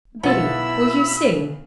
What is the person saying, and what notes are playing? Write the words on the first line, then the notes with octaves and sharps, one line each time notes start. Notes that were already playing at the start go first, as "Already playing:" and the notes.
'Biddy, will you sing.
B1 B3 E4 F4 B5 E6 A6